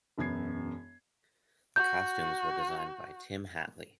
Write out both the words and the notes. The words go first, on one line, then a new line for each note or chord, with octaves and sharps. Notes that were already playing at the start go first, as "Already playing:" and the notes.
The Costumes were designed by Tim Hatley.
E1 F#2 B3 G#6 C7
F#4 G6